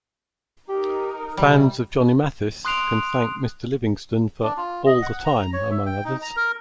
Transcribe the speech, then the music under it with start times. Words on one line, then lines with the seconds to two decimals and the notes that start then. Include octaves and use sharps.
Fans of Johnny Mathis can thank Mr. Livingston for All The Time among others.
0.69 D#4 G4 A#4
1.37 C3 G3
2.65 C6 D#6 F#6 C7 D7 F7
4.42 D4
4.57 F4
4.86 D#5
5.02 F#5
5.25 A#5
5.53 C#5
5.71 E5
5.86 G5
6.05 D#4
6.22 A#5
6.36 A#4